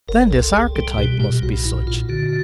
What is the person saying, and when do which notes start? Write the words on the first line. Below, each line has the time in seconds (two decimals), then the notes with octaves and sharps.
'Then this archetype must be such.'
0.08 F#1 A#4
0.31 C2 A4
0.47 A4
0.53 C2 G#4
0.75 G3 A4
0.98 B2 G4
1.20 A#2 G4
1.42 B1 F#4
1.65 A#2 E4
1.87 A#2 F4
2.09 D3 F#4